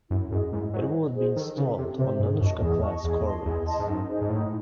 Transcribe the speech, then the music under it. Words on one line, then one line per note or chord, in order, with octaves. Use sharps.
It would be installed on Nanuchka-class corvettes.
F#2 E4
F#2 G#4 D#5
G#2 E4
F#3 G#4 C5 D#5
E4
G#4 C5 D#5
D#3 A4
C#3 C5 E5
C3 A4
C3 C5 E5
G#2 G#4
F#2 D#5 A5 C#6
E2 G#4
D#5 A5 C#6
E2 G#4
D#5 A5 C6
E2 G#4
D#5 A5 C6
G#2
F#2 D#4
G#4 C5 D#5
G#2
A2 D#4